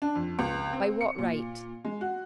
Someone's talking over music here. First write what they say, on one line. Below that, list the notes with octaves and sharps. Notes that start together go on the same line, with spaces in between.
By what right?
D4
F2
C#2
C4
C#7
A#2
G#3
F#4